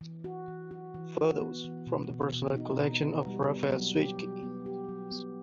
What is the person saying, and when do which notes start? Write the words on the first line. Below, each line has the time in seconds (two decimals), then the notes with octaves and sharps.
Photos from the personal collection of Rafal Swiecki.
0.01 E3
0.24 F#4
0.48 E3
0.71 F#4
0.94 E3
1.17 F#4
1.41 B3
1.64 E3
1.87 B2
2.10 B2
2.34 B2
2.56 D#4
2.80 B2
3.03 B3
3.27 G3
3.49 B3
3.73 F#3
3.96 G4
4.18 F#3
4.43 B3
4.66 G4
4.89 F#3
5.12 B3